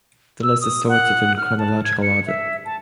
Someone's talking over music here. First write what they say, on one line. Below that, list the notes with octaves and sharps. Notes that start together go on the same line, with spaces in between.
The list is sorted in chronological order.
E6
D#6
F#5
F6
A5
G#6
C#7
E5
A5